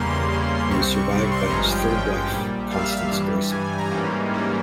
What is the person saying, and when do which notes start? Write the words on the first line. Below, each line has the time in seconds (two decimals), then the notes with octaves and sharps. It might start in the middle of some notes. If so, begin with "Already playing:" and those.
He was survived by his third wife, Constance Gleason.
Already playing: E2 C#3 G3 A#3 C#4 C6
0.31 E2 C#3 G3 A#3 C#4
0.71 C2 C3 G3 C4 C#6
0.91 C#6
1.12 C2 C3 G3 C4 C#6
1.32 C6
1.42 C6
1.51 G#1 G2 F3 G#3 C#4 A#5
1.71 G5
1.91 G#1 G2 F3 G#3 C#4
2.32 A#1 A#2 G3
2.71 A#1 A#2 G3 F5
2.79 E5
2.86 F5
3.11 G2 E3 G3
3.51 G2 E3 G3 G#5
3.78 A#5
3.91 G#2 E3 G3 A#3 C#4
4.31 G#2 E3 G3 A#3 C#4